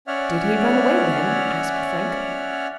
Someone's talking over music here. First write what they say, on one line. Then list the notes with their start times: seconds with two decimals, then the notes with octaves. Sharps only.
"Did he run away then?" asked Frank.
0.07 C#4 C#5 D5 E5 F#5 F6